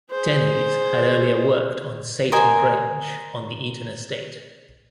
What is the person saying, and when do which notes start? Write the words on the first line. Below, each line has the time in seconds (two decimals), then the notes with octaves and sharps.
Dennys had earlier worked on Saighton Grange on the Eaton estate.
0.11 G#4 C5
2.32 A#4 C5 D#5 G#5